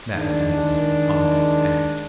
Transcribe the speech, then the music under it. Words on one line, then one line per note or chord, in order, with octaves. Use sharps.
That was always an ominous act.
D#3 G#3 D4